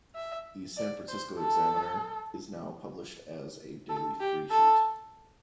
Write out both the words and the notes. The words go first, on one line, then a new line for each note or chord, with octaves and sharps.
The "San Francisco Examiner" is now published as a daily freesheet.
E5
D5
C5
A4
A4
G4
A4